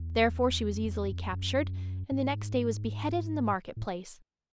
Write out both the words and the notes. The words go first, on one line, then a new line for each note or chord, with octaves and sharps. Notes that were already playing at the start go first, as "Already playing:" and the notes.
Therefore she was easily captured, and the next day was beheaded in the market-place.
Already playing: E2
F#2
F2
E2
F#2
F2
F#2
G#2
A2